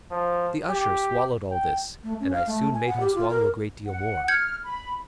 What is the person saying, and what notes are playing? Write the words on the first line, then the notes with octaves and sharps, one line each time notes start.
The usher swallowed all this, and I soon made him swallow a great deal more.
F3
G4
G5
A3
C#4
F5
A3
G#5
F#5
G4
F4
A#4
F#5
F6 G6 G#6 C#7
B5